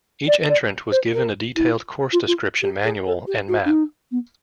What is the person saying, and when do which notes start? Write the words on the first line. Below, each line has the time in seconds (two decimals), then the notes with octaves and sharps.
Each entrant was given a detailed course description manual and map.
0.27 D5
0.49 D5
0.91 C5
1.13 A#4
1.56 E4
2.12 F4
2.27 F4
2.62 G4
2.84 G#4
3.06 A4
3.27 G4
3.48 F#4
3.65 D4
3.70 D#4
4.11 B3